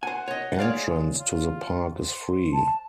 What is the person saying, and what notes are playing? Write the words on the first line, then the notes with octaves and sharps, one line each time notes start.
Entrance to the park is free.
C5 F#5 G#5
C#5 D#5
G#3 C#5 D5 F5
F4
C5
A5